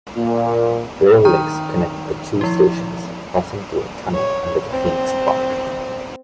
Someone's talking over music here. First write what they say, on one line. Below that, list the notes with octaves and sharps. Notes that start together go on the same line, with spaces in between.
Rail links connect the two stations passing through a tunnel under the Phoenix Park.
A#2
D#3 G5
F3 E4
C#5
C4